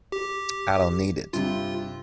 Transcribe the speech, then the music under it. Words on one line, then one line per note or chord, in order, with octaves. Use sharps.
I don't need it.
G4
G2 C3 F4